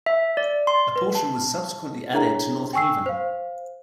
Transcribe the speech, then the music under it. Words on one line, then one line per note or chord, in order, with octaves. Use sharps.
A portion was subsequently added to North Haven.
E5
D5
C6
B4
A5
D4 E4 G#4 A#4 C#5 A#5
G5 G#5 C#6 E6 C7
C5 F5